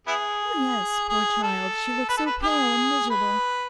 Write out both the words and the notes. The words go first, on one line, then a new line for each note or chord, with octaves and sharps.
'Oh yes; poor child, she looks so pale and miserable.
B3 E4 G#4
G#4
A4
B4
A4
B4
G#4
B4